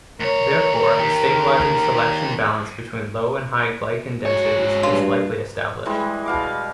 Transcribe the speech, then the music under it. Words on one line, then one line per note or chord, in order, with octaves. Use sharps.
Therefore, a stabilizing selection balance between low and high glycan densities is likely established.
D2 A#4 C#5
D#3 G4
G#2 F#4 C#5
G2 F4
E3 G3 G#3 E5
B2 F5 D6